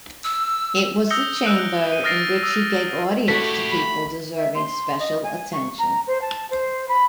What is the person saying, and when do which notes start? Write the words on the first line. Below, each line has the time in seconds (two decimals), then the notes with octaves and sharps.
It was the chamber in which he gave audience to people deserving special attention.
0.24 E6
1.10 D#6 E6 G6 A#6 C#7 G7
1.44 E6 F#6 G6 D7
1.59 F#6
1.92 D#7
2.04 D#6 F6 A6 A#6 C7 D7
2.43 D#6 E6
3.28 A3 E4 F#4 G4 B6
3.72 B5
4.36 E5
4.54 C6
4.99 D#5
5.23 G#5
5.52 C#6
5.78 A#5
6.07 C5
6.21 A5
6.50 C5
6.88 B5